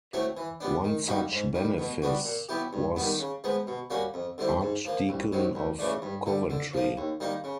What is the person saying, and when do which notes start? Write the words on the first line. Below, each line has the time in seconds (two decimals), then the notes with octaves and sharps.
One such benefice was Archdeacon of Coventry.
0.13 F#3 A3 C4 E4
0.37 E3
0.60 G3 B3 D4
0.84 D#3
1.07 G3 A#3 D#4 F#4
1.32 G#2
1.55 D#3 G3
1.78 B2
2.02 G3 B3 D4 F#4
2.25 A#2
2.49 F#3 B3 E4 G4
2.73 G2
2.96 D#3 G3 B3
3.20 C#3
3.44 F3 G#3 B3
3.67 B2
3.90 G3 A#3 C#4 F#4
4.14 F2
4.38 D3 G3 C4 E4
4.61 G#2
4.85 F3 A#3
5.09 C2
5.32 C3 D#3 F#3
5.55 D2
5.79 C#3 E3 A3 D4
6.02 G2
6.26 D3 G3
6.50 D3
6.74 F3 A#3
6.97 D#2
7.20 D#3 G3 A#3 D#4
7.44 C#3